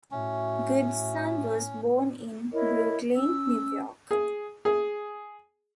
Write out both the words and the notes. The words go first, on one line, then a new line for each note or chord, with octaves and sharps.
Goodson was born in Brooklyn, New York.
A2 C#4 F#4 E5 C#6
E4 A#4 C#5 D#5
C#4 E6
G#4
G#4